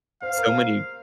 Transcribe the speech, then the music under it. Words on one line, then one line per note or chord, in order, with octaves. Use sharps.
so many
C5 F5
A#4